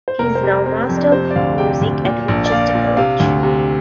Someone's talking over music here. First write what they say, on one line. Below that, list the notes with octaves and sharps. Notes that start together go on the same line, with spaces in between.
He is now Master of Music at Winchester College.
C5
F1 A#4
C5
C3
A#4
C3 C4
C4
F2
D4
C3 C5
D5
D2 F5
C3 G5
D2
A#2
A#1
D5
A#2 F5
A#2
C3 F5
D2
C3